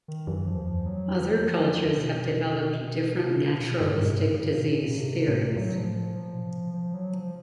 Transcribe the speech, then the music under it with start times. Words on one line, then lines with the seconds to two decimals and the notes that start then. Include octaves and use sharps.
Other cultures have developed different naturalistic disease theories.
0.08 D#3
0.27 F#2 E3
0.47 F3
0.56 E2
0.67 F3
0.86 F2 F#3
1.15 F3
1.39 F#3
1.44 F#2 F3
1.60 F2
1.74 E2 F3
1.90 F2
1.97 C3
2.03 B2
3.22 C3
3.41 C#3
3.60 B2
3.80 G2 A#2
3.99 G#2 C3
4.19 A2 C#3
4.39 G#2 C#3
4.53 B2
4.69 A#2
4.83 B2
4.91 C#3
4.97 G2 C3
5.28 A2
5.56 A2 F#3
5.76 F3
5.96 F3
6.15 A#2 F3
6.31 B2
6.45 C3
6.59 C#3
6.74 F3
6.94 F#3
7.14 F3